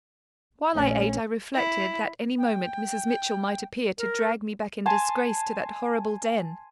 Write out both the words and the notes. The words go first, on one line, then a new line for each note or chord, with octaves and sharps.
While I ate I reflected that any moment Mrs. Mitchell might appear to drag me back in disgrace to that horrible den.
A#1 A3 C#4
E4
G5
A#4
G#5 A5 C6